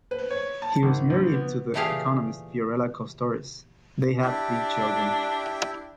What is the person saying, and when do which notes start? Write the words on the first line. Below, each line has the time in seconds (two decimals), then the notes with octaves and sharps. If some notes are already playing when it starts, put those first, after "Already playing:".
He was married to the economist Fiorella Kostoris; they have three children.
0.11 B4
0.30 C#5
0.62 A5
0.83 G#1
1.10 A#1
1.31 B3
1.74 A#2 E3 A3 G4 G#4 F5
4.22 D4 E4 G4